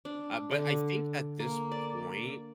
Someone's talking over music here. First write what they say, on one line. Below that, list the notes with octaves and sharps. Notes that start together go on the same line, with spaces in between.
Uh, but I think at this point
D4
D3
A#3
D5